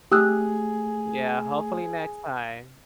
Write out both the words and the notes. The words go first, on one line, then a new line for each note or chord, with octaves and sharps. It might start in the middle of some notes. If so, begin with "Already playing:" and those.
Yeah, hopefully next time.
A3 G4 G#4 D#6 E6 F#6